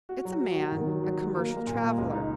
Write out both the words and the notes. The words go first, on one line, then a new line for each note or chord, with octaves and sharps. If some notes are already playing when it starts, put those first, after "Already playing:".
It's a man--a commercial traveler.
F#4
F#3
F#4
F#3
D#3
F#3
F#3
F#3
A#3
A#3
A#2
A#3
C#2
D#4